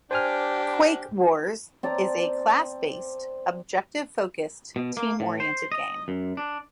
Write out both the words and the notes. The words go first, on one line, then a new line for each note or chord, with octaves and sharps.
"Quake Wars" is a class-based, objective focused, team-oriented game.
D4 G4 C5 G#5 F6
C4 D5 A5 A#5
B2
A#3
A2
C5
D#5
F#2
D4